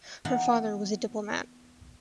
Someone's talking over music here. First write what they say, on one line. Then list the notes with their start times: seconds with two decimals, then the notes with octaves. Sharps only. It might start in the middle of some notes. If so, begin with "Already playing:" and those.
Her father was a diplomat.
0.25 E3 B3 D#4 F5 F#5